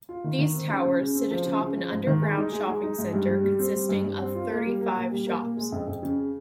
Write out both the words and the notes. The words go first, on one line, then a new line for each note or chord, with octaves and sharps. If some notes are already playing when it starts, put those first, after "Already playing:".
These towers sit atop an underground shopping centre consisting of thirty-five shops.
F4
D#3
D#3
C4
C#3
C#3
C#3
C4
F3
C#3
C#3
F3
G#2
D#3
G#3
D#4
G#3
G#3
D#4
G#2
G2
G3
G3
C4
G3
G2
G2
C4
F4
A#3
G3
A#3
A#2
G3
A#3
A#2
G#3
F2
F2
C#3